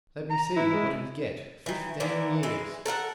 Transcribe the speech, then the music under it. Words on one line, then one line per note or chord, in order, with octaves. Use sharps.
"Let me see, what did he get--fifteen years!"
A#5
E3 E4
G#3
D#3 E3
D3 E3 A#3 B3
E3 G#3
A4 A#4 F5 F#5